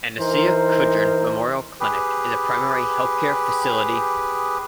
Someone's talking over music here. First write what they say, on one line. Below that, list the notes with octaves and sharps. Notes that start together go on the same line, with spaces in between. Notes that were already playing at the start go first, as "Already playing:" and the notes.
Anesia Kudrin Memorial Clinic is a Primary Health Care facility.
E3 D#4 A#4 C5
G4 G#4 B4